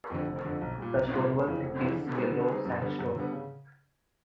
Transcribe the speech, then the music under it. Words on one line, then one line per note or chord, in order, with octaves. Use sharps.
The stone work is yellow sandstone.
F2 D3
F1
F2 D3
B1
A#2 G3
B1
A#2 G3
F1
F2 C#3 E3
F1
F2 C#3 E3
D3
G3 C4 D#4 G#4
D3
G3 C4 D#4 G#4
F#2
D3 G3 B3
F#2
D3 G3 B3
C#3